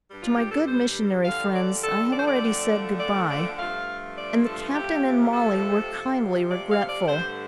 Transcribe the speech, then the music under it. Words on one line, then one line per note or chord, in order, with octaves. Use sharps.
To my good missionary friends I had already said good-bye, and the captain and Mollie were kindly regretful.
G2 G3
F4
G4
A4
C5
F2 D3 G3 F5
D5
A4
D5
C5
D5
F2 D3 F3 A3
D5
D5
G2 F3 A3 F5
D5
A4
F2 C3 F3 A3 G4
A4
F2 C3 F3
D5
F5
D5
G2 D3 A3 C5